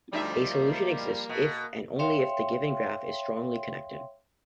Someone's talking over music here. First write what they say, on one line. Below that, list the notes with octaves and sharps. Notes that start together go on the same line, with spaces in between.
A solution exists if and only if the given graph is strongly connected.
D2 F3 G3 D#4 E5
A#3
B2
C#5 E5 F5 G5 C6